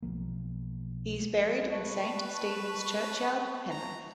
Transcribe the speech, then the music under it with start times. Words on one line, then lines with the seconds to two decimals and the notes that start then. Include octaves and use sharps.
He is buried in Saint Stephen's churchyard, Penrith.
0.02 B1 F3 A#3
1.72 B4 A5 C#6
3.70 A#5